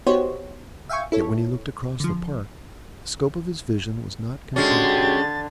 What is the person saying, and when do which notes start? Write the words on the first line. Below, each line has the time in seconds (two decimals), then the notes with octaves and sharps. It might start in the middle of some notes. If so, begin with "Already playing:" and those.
Yet when he looked across the Park the scope of his vision was not contracted.
0.06 B3 D#4 F#4 G4 C5 C#5
0.89 E5 F5 G5 G#5 C#6
1.12 E4 A4 C#5
2.00 D3 F3
4.56 D3 G#3 C#4 F#4 G4 A6